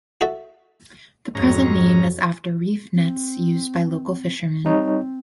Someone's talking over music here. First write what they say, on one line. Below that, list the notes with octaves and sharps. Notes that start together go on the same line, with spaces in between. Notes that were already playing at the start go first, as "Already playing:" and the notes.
The present name is after reef nets used by local fishermen.
F#4 A4 E5
F2 G#2 F#3 C#4 A#5
C4
G3 C4 D#4 C#5